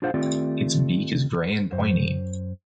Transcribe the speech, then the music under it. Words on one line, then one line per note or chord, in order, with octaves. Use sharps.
Its beak is grey and pointy.
D4 F4 G#4 C5 F5 F#5
D#3 A3 C4 F4 G4 D5
F#2 C5